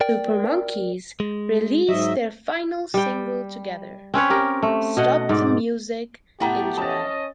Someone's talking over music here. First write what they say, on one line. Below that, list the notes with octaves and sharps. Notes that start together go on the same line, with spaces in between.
Super Monkey's released their final single together, "Stop the Music" in July.
A#4 D5 G5
G#3
G#2 F#3 D#5 E5
G3 G5
C4 C#4 B4 C#5
G4 A#4
A3
B2 D#5 F#5
G#2 D5
A2 A3 B3 F#4 G4 G5 A#5
C#4 D#5 A5 A6